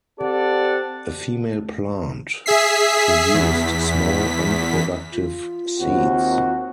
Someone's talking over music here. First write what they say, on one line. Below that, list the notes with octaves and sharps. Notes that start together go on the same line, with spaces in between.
A female plant produced small unproductive seeds.
C4 G4 A4 D5 F#5
G#4 E5 B6 C7
E2 B6
F4
D#2 C4 F#4